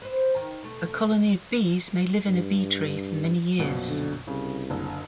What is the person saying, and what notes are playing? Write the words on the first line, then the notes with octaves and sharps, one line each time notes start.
A colony of bees may live in a bee tree for many years.
B4 C5
D#3
B2 A3
G2
A#1 F#2 B2
D3
C2 C#3
F#1 D3